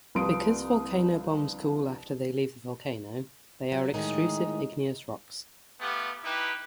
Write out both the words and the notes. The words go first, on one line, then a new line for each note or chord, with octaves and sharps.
Because volcanic bombs cool after they leave the volcano, they are extrusive igneous rocks.
C2 F3 B4 C6 D#6 D7
F#3
A2 D#3 G#3 D#4
A3 B3 F4 G4
D#4 E4 G4 B4